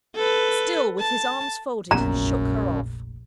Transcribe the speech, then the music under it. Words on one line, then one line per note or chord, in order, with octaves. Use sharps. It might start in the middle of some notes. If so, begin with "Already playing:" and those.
Still, with his arms folded, he shook her off.
A4 B4
A5
F1 A#1 F#2 A#2 B3 A#5